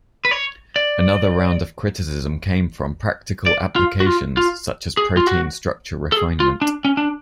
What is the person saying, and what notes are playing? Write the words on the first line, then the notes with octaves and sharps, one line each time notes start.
Another round of criticism came from practical applications, such as protein structure refinement.
B4
C#5
D5
D5
F4
F#4
F4
F4
G#4
F4
F#4
A4
G#4
F4
D4
C#4
D4